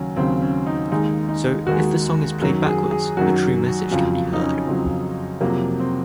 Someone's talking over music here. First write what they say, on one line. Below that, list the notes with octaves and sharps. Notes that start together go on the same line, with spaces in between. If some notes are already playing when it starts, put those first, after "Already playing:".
So, if the song is played backwards, the true message can be heard.
Already playing: D#2 C#3 F#3 C#4
D#2 C#3 F#3 C4
C#4
D#4
D#2 D#3 G#3 D#4
D#4
D#2 D#3 G#3 F#4
F#2 D#3 F#3 F#4
G#4
G#4
F#2 D#3 F#3 F#4
F2 C#3 F#3 F4
D#4
C#4
F2 C#3 F#3 C4
F2 C3 F#3 A#3
C4